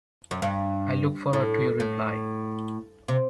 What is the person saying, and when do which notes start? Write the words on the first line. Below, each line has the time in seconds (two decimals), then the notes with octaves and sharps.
I look forward to your reply.
0.31 F#2
0.42 G2
1.33 A2
1.80 A2
3.08 C3